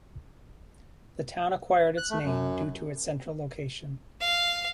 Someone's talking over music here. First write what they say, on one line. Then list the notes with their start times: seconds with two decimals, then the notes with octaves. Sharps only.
The town acquired its name due to its central location.
1.98 F#6
2.10 A3
2.24 F#2
4.20 F5